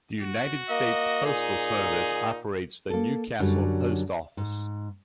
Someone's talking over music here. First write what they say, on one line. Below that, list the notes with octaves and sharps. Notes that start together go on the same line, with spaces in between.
The United States Postal Service operates the Newcastle Post Office.
F#4
A#3 D#5
A#2 D#4 G#4
A#3 A4
F#2 D3 F#3 G3
G#2